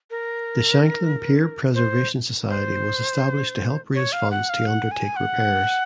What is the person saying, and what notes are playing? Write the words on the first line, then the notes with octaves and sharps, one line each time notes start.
The Shanklin Pier Preservation Society was established to help raise funds to undertake repairs.
A#4
C5
C5
C#5
F5
F#5
F5
F#5
G#5
F#5